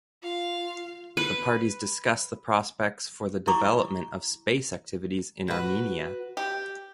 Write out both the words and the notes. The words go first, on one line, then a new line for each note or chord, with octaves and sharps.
The parties discussed the prospects for the development of space activities in Armenia.
F4 F5
B4
E4 A#5 C#6 D6
F#4 B4
G4